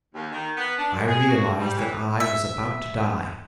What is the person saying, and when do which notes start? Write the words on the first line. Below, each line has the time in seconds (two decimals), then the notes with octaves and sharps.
I realized that I was about to die . . .
0.15 D#2
0.32 D#3
0.57 B3
0.79 D4
0.94 F#2
1.08 G#4
1.29 F#4
1.60 G3
1.76 E3
2.20 E5